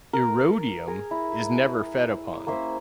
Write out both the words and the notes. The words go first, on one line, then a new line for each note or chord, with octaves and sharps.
"Erodium" is never fed upon.
A#4
G#4 A#4
E4
A#3 C#4 C5 E5